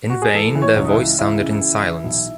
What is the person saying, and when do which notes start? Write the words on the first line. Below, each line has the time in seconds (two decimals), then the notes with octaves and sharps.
In vain their voice sounded in silence.
0.10 F#4
0.22 G#4
0.34 E3 A4
0.55 E3
0.62 C#5
0.76 C#2
0.85 D#4
0.90 E4
0.98 C#2
1.19 E3 E4
1.40 C#3
1.61 E3
1.82 E3
2.04 B1